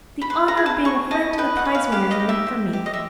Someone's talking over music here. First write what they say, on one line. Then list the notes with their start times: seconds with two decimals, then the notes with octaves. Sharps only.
The honor of being a friend of the prizewinner is enough for me.
0.21 B5
0.30 B4 C6
0.48 A#5
0.57 G#4
0.66 A5
0.85 G#4 C#6
1.11 D#5 A5
1.38 B4 G5
1.57 F#5
1.65 B4
1.75 F5
1.92 G4 F5
2.11 D#5
2.20 D#4
2.29 E5
2.47 C5
2.73 G4
2.86 D#5
2.94 E5